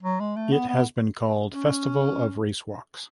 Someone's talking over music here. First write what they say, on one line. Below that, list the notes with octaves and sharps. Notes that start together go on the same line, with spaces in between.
It has been called Festival of Race Walks.
F#3
G#3
A3
B3
B3
C#4